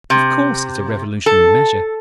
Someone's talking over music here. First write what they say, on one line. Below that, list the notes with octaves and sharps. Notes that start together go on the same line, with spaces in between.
Of course, it is a revolutionary measure.
C3
A4